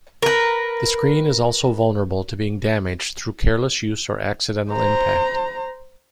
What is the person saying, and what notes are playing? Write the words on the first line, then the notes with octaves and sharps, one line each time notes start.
The screen is also vulnerable to being damaged through careless use or accidental impact.
A#4 B4
C5 A#5